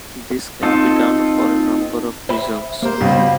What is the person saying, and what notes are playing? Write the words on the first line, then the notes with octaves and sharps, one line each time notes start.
This can be done for a number of reasons.
C4 D#4 F4 A4
C5 E5 G5 B5
A#3 G4 A#4 C5
C#2 G2 B2 G3 C4 F5